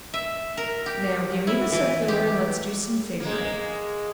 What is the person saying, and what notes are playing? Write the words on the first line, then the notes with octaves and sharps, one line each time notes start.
Now give me the circular, and let's do some figuring.
E5
A#4
G4
E4
E3
G4
G#3 A#3